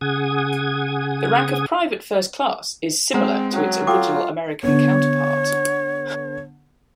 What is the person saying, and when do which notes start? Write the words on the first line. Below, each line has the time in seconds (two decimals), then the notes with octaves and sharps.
The rank of private first class is similar to its original American counterpart.
0.01 C#3 G#4 F#5 D#6 G#6
3.14 G#3 C4 C5 F#5 A#5
3.54 F#3 C#4
3.87 F4 A4 G5 D6
4.63 D3 B3 C#5